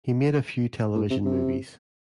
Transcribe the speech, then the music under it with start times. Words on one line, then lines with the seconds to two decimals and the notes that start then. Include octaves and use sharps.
He made a few television movies.
0.95 A2
1.10 C3
1.25 C3